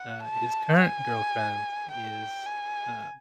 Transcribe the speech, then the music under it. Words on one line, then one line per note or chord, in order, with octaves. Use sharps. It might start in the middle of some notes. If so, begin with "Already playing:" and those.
uh, his current girlfriend is, uh,
Already playing: F#5
A5
G#5
G5
G#5